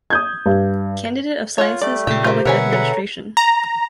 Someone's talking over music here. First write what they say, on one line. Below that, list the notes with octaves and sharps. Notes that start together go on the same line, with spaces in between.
Candidate of Sciences in Public Administration.
D#6 G6 G#6
G2
F4 C#5 F#5
G3 A3 D5
A#2 C#3 G5
A#3 F4 G4 C5 G6
B2 D3 A#4 B4 C#5 E5 F#5 G#5
G#4 A4 C#5 A#5
A#5